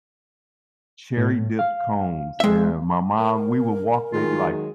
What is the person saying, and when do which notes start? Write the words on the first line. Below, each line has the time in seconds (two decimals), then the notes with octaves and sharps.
cherry-dipped cones, and my mom we would walk maybe, like,
1.17 A2
1.59 F5
2.40 G#3 E5
3.18 A#4
4.13 D#3 F#3 G#3 F4 G#4